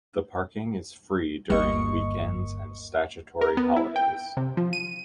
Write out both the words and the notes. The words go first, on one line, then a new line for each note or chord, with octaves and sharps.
The parking is free during weekends and statutory holidays.
G1 D#2 G3 A#3 D#5 C#6
A#4
B3
E4
G5
C3
F3
D#7